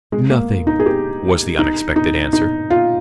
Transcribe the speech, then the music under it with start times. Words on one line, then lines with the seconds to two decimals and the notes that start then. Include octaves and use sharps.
"Nothing," was the unexpected answer.
0.12 G#3
0.30 A#3
0.67 D#4
0.80 G#4
0.86 G4
1.59 D#4
1.96 D#4
2.33 D#4
2.70 F4